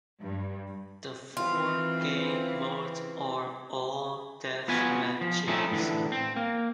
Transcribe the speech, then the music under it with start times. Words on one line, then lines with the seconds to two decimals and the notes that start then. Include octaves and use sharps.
The four game modes are all deathmatches.
0.22 G2
1.37 E3 C4 F4
4.68 B3 F4 F#4 B4 G#5
5.21 F3
5.48 F3 A3 C4 C#4 D#4 E4
5.72 A2 D3 E3
6.12 C4
6.36 A#3